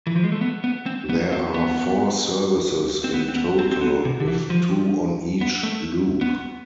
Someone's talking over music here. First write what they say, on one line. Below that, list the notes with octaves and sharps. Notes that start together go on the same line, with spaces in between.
There are four services in total, with two on each loop.
E3
F3
G#3
A3
B3
B3
C4
B3
C4
B3
C4
B3
C4
B3
C4
C4
B3
C3
D3
E3
F3
B3
A3
B3